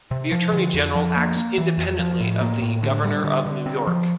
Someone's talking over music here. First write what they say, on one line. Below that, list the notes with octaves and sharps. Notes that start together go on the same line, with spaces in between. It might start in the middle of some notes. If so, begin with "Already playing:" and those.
The Attorney General acts independently of the Governor of New York.
C3
F3
D3
F2
F3
A#3
A#3
E3
F2
F3
A2
A#3
A2
D3
G3
D3
D3
C4
F3